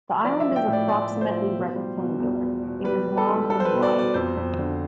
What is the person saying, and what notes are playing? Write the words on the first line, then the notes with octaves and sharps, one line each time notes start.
The island is approximately rectangular; it is long and wide.
F3 D5
F3 E5
G5
A2
D5
A2 D5
A2
C5
F3
B2
G3
B2
E2
E2
B2
G3 B4
G3
A4
G3
G3 A4
C5
B4
B2
D5
B2
D5
F2 C5
F2
D3